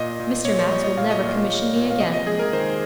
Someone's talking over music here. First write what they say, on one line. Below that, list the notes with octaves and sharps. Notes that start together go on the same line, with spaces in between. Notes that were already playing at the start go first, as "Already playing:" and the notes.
'Mr. Max will never commission me again.'
Already playing: A#2 D#5
A#2
A#2 C#5
C#5
G3 D#5
D#5
A#2 F5
D#5
A#2
A#2
A#2
F5
C3 D#5
D#5
G#3 G#4
A#4
D#3 C5